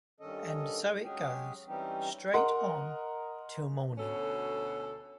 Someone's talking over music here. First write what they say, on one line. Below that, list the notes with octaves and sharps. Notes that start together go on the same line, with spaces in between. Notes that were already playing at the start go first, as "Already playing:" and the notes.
And so it goes, straight on till morning.
G2 D#3 C#4 A4 D#5
F#3 G#3 C#4 G4 G#4
E3 G3 C4 C#4 D#4 G4
A#4 D#5 F#5 C6
D2 B2 C#4 A4